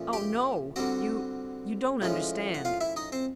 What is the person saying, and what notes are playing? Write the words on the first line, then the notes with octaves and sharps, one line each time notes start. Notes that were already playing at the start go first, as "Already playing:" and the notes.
"Oh NO--you--you don't understand."
Already playing: A#2 F3 A3 C#4
G4 G5
D3 G3 C4 F#4 F#5
A2 F3 G#3 C#4
F#5
F4 F5
E4 E5
D#4 D#5
C4 C5